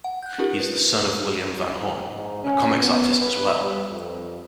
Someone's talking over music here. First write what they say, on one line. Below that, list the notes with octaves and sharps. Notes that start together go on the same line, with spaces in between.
He is the son of William Van Horn, a comics artist as well.
F#5
F#6 G6
C#4 D#4 F4 G4 A#4
B4
G#2
C#4
B3
B4
G3
F2